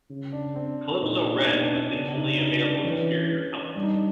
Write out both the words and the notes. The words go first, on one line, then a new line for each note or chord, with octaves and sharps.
Calypso Red was the only available exterior colour.
C#3
D4
C4
A#2 D#4
D4
D4
B2 D#4
D4
C#4
D4
C#3 D4
D#4
D#4
D4
E3 C#4
G3 D4
D#4
D4